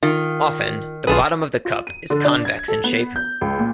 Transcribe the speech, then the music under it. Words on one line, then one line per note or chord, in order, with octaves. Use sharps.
Often, the bottom of the cup is convex in shape.
D#3 F4
B1 F4 G#4 A4 B4 D#6
F4
D#7
D3
D4
G#6
A4
B3
G6
C#2
A#2